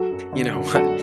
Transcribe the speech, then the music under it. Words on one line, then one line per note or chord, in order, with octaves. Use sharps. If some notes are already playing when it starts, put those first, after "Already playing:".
you know what,
Already playing: F#3 F#4 A4
F#2
D3
F#2
F#3 F#4 A4